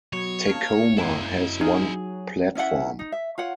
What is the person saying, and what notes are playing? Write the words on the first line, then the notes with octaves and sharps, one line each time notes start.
Tecoma has one platform.
B2 F#3 C#5
A#3 D#4 F5 A5
F#2 A#2 G#3 A#3 E4 D#5
D#4 G#4 F6
F#3
C#4 E4 E5 F#5
D#4
E5
F4 C#5 F#5